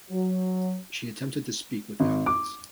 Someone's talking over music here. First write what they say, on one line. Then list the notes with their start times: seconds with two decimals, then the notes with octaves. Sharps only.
She attempted to speak with the audience.
0.10 F#3
2.00 G#1
2.26 D6